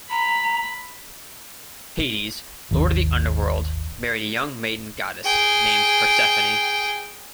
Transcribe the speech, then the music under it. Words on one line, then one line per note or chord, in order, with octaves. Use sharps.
Hades, lord of the underworld married a young maiden goddess named Persephone.
A#5 B5
G#1 D#2
G#4 G5